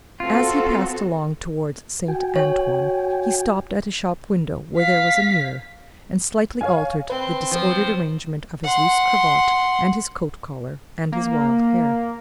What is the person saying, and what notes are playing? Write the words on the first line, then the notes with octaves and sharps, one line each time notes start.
As he passed along towards Saint Antoine, he stopped at a shop-window where there was a mirror, and slightly altered the disordered arrangement of his loose cravat, and his coat-collar, and his wild hair.
C4 F4 F#4 A4
F#4 G5 G#5
C#5
F5 B6
C#5 F5 G#5
C4 B4
F3
F#5 C6
A#3